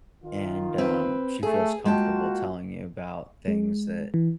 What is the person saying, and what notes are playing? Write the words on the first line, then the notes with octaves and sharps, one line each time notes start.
and, um, she feels comfortable telling you about things that,
D#3 F4
C4 B4
A3 G#4
G#3 A#3 F4 F#4 G5 A5
G#3
E3